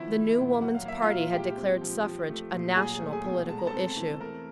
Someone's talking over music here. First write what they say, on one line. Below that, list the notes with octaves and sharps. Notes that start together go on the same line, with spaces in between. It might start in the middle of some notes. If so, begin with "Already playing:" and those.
The new Woman's Party had declared suffrage a national political issue.
Already playing: D#3 F3 B3 E4 E5
A3
A#2
F#3 F#5
F5
A#3 E5
F4 F5
A#2
G#3 G4 G5
C4
F3
F3
A3
A#2
F#3 G#4 G#5
A3
G#4 G#5
B2
G#3 A5
A#5
A4 A5
C4
E3
A3 A#4 A#5